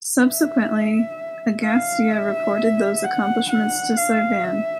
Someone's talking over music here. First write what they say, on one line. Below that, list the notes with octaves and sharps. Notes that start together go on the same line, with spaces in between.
Subsequently, Agastya reported those accomplishments to Sivan.
E5
F5
E5
F#5
F#5
F5
E5